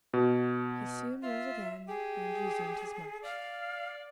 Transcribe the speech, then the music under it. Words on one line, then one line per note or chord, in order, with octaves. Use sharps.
He soon rose again and resumed his march.
B2
F4 E5
G4 G#4
D5 F5